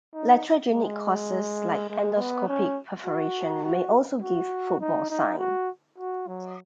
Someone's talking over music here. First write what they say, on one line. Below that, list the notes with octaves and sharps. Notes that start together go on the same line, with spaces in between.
Iatrogenic causes like endoscopic perforation may also give football sign.
D#4
G#3
G#3
B3
C#4
F#4
F#4
F#4
D#4
D#4
F#4
F#4
F#3